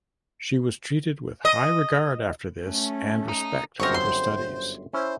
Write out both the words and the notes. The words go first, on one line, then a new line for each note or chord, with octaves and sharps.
She was treated with high regard after this and respect for her studies.
D#5
A3 C#4
D#4
G1 F#2 C4 A#4 C5 C#5
C6
C#4 E4 C5